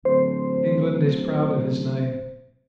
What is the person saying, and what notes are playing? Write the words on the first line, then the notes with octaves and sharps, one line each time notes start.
England is proud of his name.
D1 C5